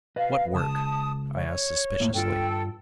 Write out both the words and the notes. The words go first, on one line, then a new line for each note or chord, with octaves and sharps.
"What work?" I asked suspiciously.
B4 D#5 F5
C#2 A5 D#6
C#5
A2 A#3
G2 F4 A4 G5